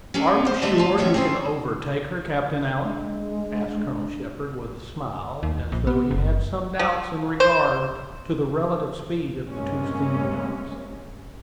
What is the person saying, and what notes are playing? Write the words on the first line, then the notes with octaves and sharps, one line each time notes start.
"Are you sure you can overtake her, Captain Alick?" asked Colonel Shepard, with a smile, as though he had some doubts in regard to the relative speed of the two steam-yachts.
C#4 D4 G#4 A4
B3 C5
D3 G3 A3 D#5 E5 A5
F4 A5
D2 D#3 B3 C#4 C#5 E5
C4 C#4 G#4 A4 C5
G#3 D4
D#2
A#1
B3
F#1
F3
C5
G2 C3 G#3 A#3 C#4